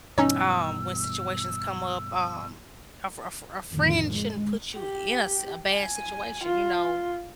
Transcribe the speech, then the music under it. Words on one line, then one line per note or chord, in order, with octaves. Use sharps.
um, when situations come up, um, a fri a fri a fri friend shouldn't put you in a s a bad situation, you know,
G2 B2 E3 C#4 D#4 C#5 E6
F2 A2 D3 D#3 F3
G#3
G4
G#5
F4